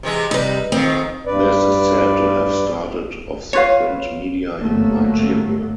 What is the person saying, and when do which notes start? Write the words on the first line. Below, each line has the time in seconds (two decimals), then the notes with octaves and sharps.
This is said to have started off the print media in Nigeria.
0.03 C3 E3 G#3
0.31 C3 G3 D#4 B4
0.72 F2 D#3 C4
1.26 G2 B4 D5
3.53 F4 B4 C#5 F5
4.60 G1 G#2 F#3 A3 A#3